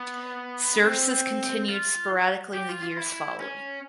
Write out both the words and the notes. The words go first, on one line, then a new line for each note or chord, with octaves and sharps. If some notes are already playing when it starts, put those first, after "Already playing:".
Services continued sporadically in the years following.
Already playing: B3
C4
F4
G4
F4
F4
E4
C#4